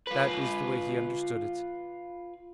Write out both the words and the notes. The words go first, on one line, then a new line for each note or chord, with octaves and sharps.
That is the way he understood it.
F4 B4